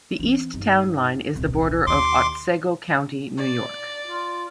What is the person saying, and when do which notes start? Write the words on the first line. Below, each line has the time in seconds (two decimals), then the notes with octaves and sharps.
The east town line is the border of Otsego County, New York.
0.19 E3 C4
0.53 G1 D#4
1.35 D1 B1
1.87 D#2 D#3 C6 D6
3.37 D5
4.06 F4